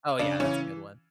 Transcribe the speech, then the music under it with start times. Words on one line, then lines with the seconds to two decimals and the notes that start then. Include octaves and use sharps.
Oh, yeah, that's a good one.
0.19 C#3 D4
0.40 E3 C#4